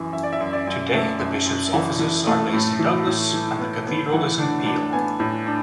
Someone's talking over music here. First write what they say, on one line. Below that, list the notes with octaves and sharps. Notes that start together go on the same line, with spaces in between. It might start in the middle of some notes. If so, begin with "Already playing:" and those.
Today, the bishop's offices are based in Douglas and the cathedral is in Peel.
Already playing: F#2 E3 G#5
F#2 E5
D5
E5
F#2
D5
F#2
A3 E5
F#2
F#2
E3
E3
A3
A2
E3
A2
E3
B3
B3
E3 F#5
D4
D4
B3 G#5
A2
D4